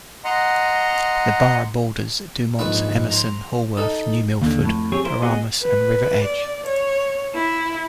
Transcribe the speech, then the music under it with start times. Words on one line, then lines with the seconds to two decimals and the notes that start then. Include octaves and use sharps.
The borough borders Dumont, Emerson, Haworth, New Milford, Paramus and River Edge.
0.25 D#5 F#5 A#5 C6
2.59 A#1 G#2 B4 E5
3.10 C5 A#5
3.77 D#4 A4
4.42 D#2 D3
4.63 F2 A2
4.92 F2 C4 G4 G#4 C#5
5.05 E4 A#4 C5
5.22 B3 F#4 G#4 D#5
5.60 B4
6.23 D5
6.66 C#5
7.35 E4